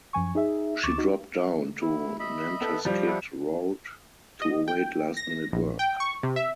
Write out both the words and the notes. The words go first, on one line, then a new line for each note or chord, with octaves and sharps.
She dropped down to Nantasket Road to await last minute work.
F#2 F3 G#5 C#6
D#4 G#4 E5
D2 C#6 D6 A6 E7
D#4 F#4
E4
D#5 E5 B5
B3 A4
F3 G3
D4 E4 F#5
D#5
G5
A#6
A#1
G5
C#6
C3
E5